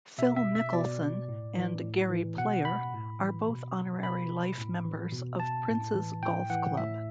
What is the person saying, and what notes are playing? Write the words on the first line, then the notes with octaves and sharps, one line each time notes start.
Phil Mickelson and Gary Player are both honorary life members of Prince's Golf Club.
B2 E5
E5
E5
B2 D5
A2
E3
A2
E3
B2 F#5
B5
A2
E3
B2
B2 B5
A2
E3
B2
A5
A2
E3
A2 G5
E3 F#5
A2 E5